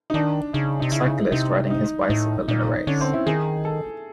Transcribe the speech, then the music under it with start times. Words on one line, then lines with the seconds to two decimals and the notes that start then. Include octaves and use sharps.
Cyclist riding his bicycle in a race.
0.10 D#4
0.14 D#3 D4
0.53 C#3 D#4
0.79 C3 D#4
0.92 C#3 E4
1.05 D#4
1.19 E4
1.31 C3 D#4
1.70 D#4
2.09 A2 D#4
2.48 A#2 D#4
2.87 D3 C#4
3.01 C4
3.13 E4
3.26 D#3 G#4
3.65 A4